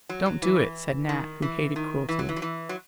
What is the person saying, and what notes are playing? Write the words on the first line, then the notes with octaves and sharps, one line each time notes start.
"Don't do it," said Nat, who hated cruelty.
F#3
F#3
E3
D#3
E3
D#3
E3
F#3
E3
F#3
E3
F#3